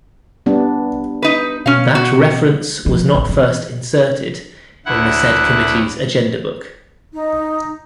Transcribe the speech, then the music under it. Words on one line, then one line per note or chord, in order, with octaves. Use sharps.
That reference was not first inserted in the said committee's agenda book.
G3 B3 D4
D#4 B4
B2 C#4 F5
F#4
F3
A1
E3
D2 E4 F#5
D#4